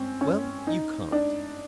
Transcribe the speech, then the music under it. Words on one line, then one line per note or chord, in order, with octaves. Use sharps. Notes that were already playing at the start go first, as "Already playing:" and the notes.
Well, you can't.
Already playing: C4 C#4
C#4
D#4
D4